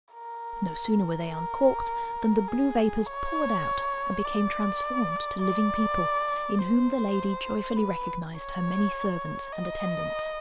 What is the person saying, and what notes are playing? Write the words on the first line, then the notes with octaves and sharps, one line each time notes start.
No sooner were they uncorked than the blue vapours poured out and became transformed to living people, in whom the lady joyfully recognised her many servants and attendants.
A#4
A#4
G#4
C#5
D5
D5
C5
B4
C#5
D#5